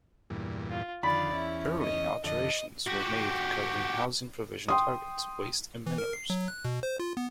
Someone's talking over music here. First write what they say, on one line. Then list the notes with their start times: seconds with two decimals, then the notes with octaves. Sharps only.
Early alterations were made covering housing provision targets, waste and minerals.
0.30 E2 G2 A#2
0.70 F4
1.03 F2 D3 D#3 F4 D5 B5
1.33 E2 C#4 E4
1.79 D#5
2.24 F2 D3 A4 D#5
2.86 F#4 G4
4.68 G5 C6 D#6
5.86 E3
5.98 A#4
6.13 C7
6.30 F#3
6.48 F#6
6.65 B2
6.83 C5
7.00 F4
7.17 B3